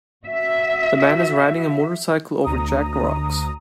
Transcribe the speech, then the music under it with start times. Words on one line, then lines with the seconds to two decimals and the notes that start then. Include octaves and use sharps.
The man is riding a motorcycle over jagged rocks.
0.25 F#4 E5
2.44 D2 A#5 D#6